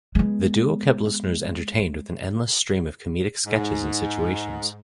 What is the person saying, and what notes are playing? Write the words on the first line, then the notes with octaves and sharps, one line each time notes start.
The duo kept listeners entertained with an endless stream of comedic sketches and situations.
G#3 B3
G#2